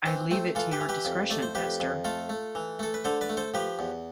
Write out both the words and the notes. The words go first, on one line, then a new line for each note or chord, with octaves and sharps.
I leave it to your discretion, Esther.
E3 C4
A3 C4
E3 F4 A4
G4 B4
E3
G4 B4
F2
A3 D5
C5
F2 G4 B4
F2
A3 F4 A4
A3
E3
A3 A4
B4
D3 A4 C5
B4 D5
A3
A4 C5
F3 G4 B4
E2